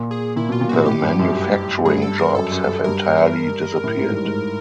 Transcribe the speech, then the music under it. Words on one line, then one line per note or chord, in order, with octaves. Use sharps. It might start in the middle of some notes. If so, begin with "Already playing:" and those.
The manufacturing jobs have entirely disappeared.
Already playing: A#2
G#4
A#2 E4
B2
F4
A#2
A2 F#4
A2 G4
G2
F#2
G2 G#4
A4
A#4
F#2 A4
F#2
F#2
G2 A#4
A2
G#2
G2
G#2